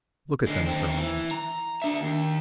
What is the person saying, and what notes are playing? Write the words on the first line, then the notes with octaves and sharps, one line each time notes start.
Look at them for a moment.
D3 G#3
D#2 C4
E3
A#5
D4 E5
D#2